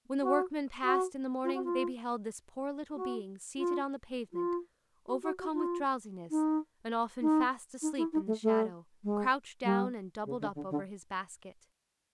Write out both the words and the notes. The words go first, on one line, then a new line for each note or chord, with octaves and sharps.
When the workmen passed in the morning, they beheld this poor little being seated on the pavement, overcome with drowsiness, and often fast asleep in the shadow, crouched down and doubled up over his basket.
F#4
F#4
F4
F#4
F4
F#4
F4
F4
F#4
F#4
F#4
F4
D#4
D#4
D#4
E4
D#4
A3
A3
G#3
G3
C#3
D3
D3
D3